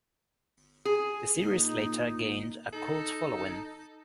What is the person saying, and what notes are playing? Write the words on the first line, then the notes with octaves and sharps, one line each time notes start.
The series later gained a cult following.
G#4
A#2 D#4
D#4 A4